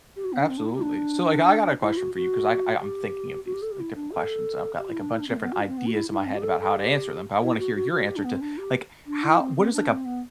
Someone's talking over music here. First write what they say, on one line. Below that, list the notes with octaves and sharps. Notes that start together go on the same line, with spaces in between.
Absolutely. So, like, I got a question for you ‘cause I I I'm thinking of these, like, different questions. I've got, like, a bunch of different ideas in my head about how to answer them, but I wanna hear your answer to, like, how what is, like, a
G4
F#4
B3
D4
C4
D4
E4
G4
D4
E4
F#4
F#4
G4
F#4
G4
A4
G4
E4
D4
A4
G4
E4
D4
E4
D4
C4
A3
B3
F#4
D4
C4
B3
F#4
E4
E4
D4
C4
G4
A4
A4
G4
E4
F#4
F#4
F#4
G4
D4
B3
C4
D4
G4
D4
E4
C4
C4
D4
C4
B3